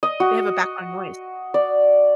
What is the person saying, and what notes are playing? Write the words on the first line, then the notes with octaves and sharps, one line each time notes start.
They have a background noise.
D#5
F#4
D5